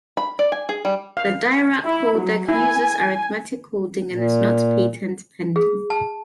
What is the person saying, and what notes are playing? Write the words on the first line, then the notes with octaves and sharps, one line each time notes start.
The Dirac codec uses arithmetic coding and is not patent pending.
B5
D5
G#5
G#4
G3
F5
E4
F#3
E4 G#5
A#2
G#4
A5